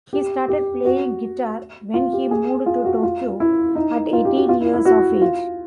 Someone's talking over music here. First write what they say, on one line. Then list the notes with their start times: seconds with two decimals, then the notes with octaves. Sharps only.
He started playing guitar when he moved to Tokyo at eighteen years of age.
0.13 G4
0.48 G4
0.85 F#4
1.94 F4
2.13 G4
2.31 G#4
2.66 F4
2.85 F#4
3.03 F4
3.40 E4
3.75 D#4
4.13 F4
4.25 G4
4.36 F#4
4.49 F4
4.61 E4
4.74 E4
4.85 F#4
5.22 F4